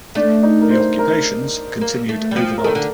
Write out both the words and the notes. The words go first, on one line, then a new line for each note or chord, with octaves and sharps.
The occupations continued overnight.
A3 D4
D#4
A#4
C5
A#4
A#3
A3
G3
F3
A#4
D#3 A4
D3